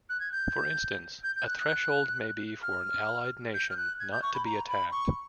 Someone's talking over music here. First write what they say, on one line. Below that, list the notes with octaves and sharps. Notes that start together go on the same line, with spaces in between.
For instance, a threshold may be for an allied nation not to be attacked.
F#6
G#6
G6
G6
G6
F#6
F#6
F6
G6
F6
F#6
G#6
G6
C#6
B5
A#5
B5
C#6